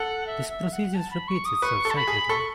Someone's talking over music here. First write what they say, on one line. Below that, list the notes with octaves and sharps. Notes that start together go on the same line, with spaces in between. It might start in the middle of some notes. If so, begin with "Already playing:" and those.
This procedure repeats itself cyclically.
Already playing: A4 F#5
E5
E5
F#5
A5
B5
C#6
D#6
B4 C#6
A4
A5
B5
G#4
A4 C#6